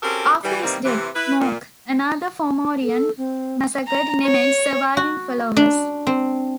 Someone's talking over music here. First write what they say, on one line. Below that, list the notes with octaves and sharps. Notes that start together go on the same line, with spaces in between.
After his death, Morc, another Fomorian massacred Nemed's surviving followers.
C4 C#4 F#4 G4 A4 A#4
E3 G3
C3 D#3 E3 G3 A#3 C4
C3 E3
E4 B4
A#2
A4
C4
A#5
C#5
F#4
D4
C4